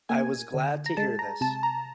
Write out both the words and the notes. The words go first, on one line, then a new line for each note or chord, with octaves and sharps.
I was glad to hear this.
A#3 G#5
D3
A#5
G#3 A5
A#5
C3 A5
A#5